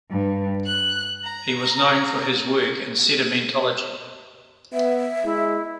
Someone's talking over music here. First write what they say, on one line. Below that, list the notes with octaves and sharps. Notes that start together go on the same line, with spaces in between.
He was known for his work in sedimentology.
G2
F#6
A#5
B3 E5
G#3 E4